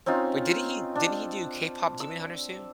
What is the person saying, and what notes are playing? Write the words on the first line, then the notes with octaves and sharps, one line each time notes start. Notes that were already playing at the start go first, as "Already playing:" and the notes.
But didn't he didn't he do KPop Demon Hunters too?
C4 C#4 D#4 F4
D4
E6